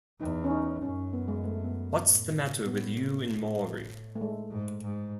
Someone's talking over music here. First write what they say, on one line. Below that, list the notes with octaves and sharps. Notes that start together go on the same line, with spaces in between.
What's the matter with you and Maury?
E2 D#4
C#4
D#4
F#2 C#4
B3
G#3
A3
B3
A2
B3
A3
G#3
G#2
G#2